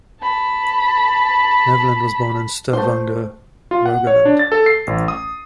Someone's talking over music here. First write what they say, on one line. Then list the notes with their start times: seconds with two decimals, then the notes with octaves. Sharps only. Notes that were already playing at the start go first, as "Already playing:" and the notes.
Nevland was born in Stavanger, Rogaland.
0.21 A5 B5
2.73 A3 C5
3.71 F4
3.86 F#5
4.07 C#5
4.25 D4
4.39 A6
4.52 A4
4.66 C7
4.87 A1
5.08 D#6